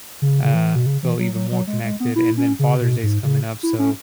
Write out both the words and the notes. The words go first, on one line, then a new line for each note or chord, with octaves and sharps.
uh, feel even more connected, and then Father's Day is coming up, so,
C#3
C#3
E3
B2
C#3
E3
F#3
F#3
F#3
G#3
G#3
B3
E4
C#4
C#3
B2
G#2
C#3
E4
C#4